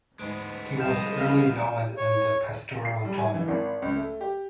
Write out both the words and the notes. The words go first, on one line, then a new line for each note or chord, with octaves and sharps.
He was early known in the pastoral genre.
D2 G#2 G#3 B3 D7
F3 G3 D#5 F5 F6 G6 E7
C#5
C7
G3
G#5
E3
G#1
C#2
A3
G4